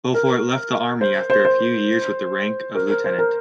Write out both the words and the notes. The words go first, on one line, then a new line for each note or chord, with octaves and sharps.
Beaufort left the Army after a few years with the rank of lieutenant.
A#4
C5
C5
C5
A#4
A#4
C5
A#4